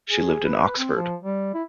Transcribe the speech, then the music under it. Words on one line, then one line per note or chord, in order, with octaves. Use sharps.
She lived in Oxford.
G#4
B4
C4
F3
G3
E4